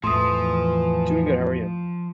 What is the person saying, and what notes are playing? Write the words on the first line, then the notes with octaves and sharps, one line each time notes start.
Doing good, how are you?
E2 A2 E3 F3 C6 D#6